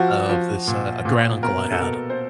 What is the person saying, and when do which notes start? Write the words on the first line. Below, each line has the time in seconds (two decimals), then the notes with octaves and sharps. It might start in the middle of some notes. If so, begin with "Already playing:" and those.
of this, uh a granduncle I had,
Already playing: F3 F#4
0.29 F3
0.68 A#2
1.05 A#2
1.43 B2 A#4
1.72 A4
1.80 B2 A#4
2.10 C5